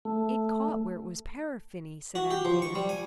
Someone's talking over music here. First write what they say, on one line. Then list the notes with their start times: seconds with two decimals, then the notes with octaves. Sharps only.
'It caught where it was paraffiny,' said Anthea.
0.05 A3
2.15 F#4
2.31 G4
2.45 F3
2.62 C#6
2.75 G3
2.89 G#5